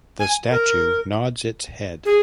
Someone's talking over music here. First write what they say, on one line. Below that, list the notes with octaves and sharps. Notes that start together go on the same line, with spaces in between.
The statue nods its head.
G#5
A#4
G#4